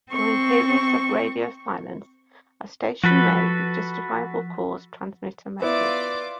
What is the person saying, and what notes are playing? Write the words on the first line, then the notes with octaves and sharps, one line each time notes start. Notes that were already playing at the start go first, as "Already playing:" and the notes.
During periods of radio silence a station may, with justifiable cause, transmit a message.
C4 C#6
F3 F#4 A4 B4 B6
B3 E4 F4 D5 E5 D6